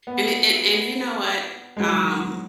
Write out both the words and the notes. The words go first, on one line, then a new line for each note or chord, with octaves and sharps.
And a and and you know what? Um,
B3
G#3
F#3